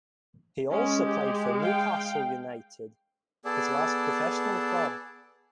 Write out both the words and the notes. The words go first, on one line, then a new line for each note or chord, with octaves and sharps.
He also played for Newcastle United, his last professional club.
G#3 C#4
G4
F5 G5
B3 G#4 A4 D5 A5